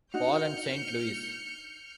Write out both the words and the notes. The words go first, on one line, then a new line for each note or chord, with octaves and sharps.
Paul and Saint Louis.
D4 D#4 F#4 F6 G6 C#7